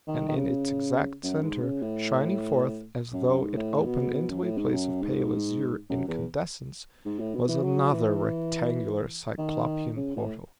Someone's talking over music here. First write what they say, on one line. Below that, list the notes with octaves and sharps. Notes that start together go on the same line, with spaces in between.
And in its exact center, shining forth as though it opened into a place of pale azure incandescence was another rectangular Cyclopean portal.
D#3
D#3
C#3
F#2
G#2
C#3
A2
F#2
F#2
G#2
A2
B2
B2
F#2
A2
G#2
F#2
G#2
F#2
E2
G#2
A2
B2
E3
F#3
E3
D#3
C#3
A2